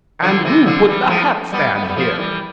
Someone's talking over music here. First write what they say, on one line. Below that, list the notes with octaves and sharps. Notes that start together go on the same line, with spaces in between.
"And who put the hat-stand here?"
D3 F3
C3 E3
D3 F3
E3 G3
F3 A3
G3 B3
B3
A3
G3 B3
F3 A3
E3 G3